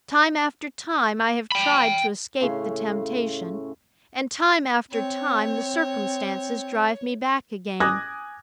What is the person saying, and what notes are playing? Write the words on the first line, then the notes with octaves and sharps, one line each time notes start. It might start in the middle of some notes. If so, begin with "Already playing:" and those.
Time after time I have tried to escape the temptation; and time after time the circumstances drive me back again.
G5 B5
A2 C#3 C#4 C6
C4 C#5
G#5 D6 D#6 F#6 G#6 A#6